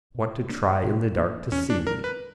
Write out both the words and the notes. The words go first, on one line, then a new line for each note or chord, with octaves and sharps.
Want to try in the dark to see.
B2
A#3 D4
B2
A#3 D4
E2 C#4
D4
D3 G3 A#4
B4